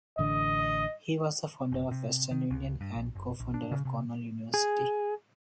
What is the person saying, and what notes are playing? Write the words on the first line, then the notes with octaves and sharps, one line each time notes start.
He was the founder of Western Union and a co-founder of Cornell University.
A1 D3 D#5
F#1
C3
D#3
C#2
G2
A#1
F#1
A#1
D4
C#3
C3
G#4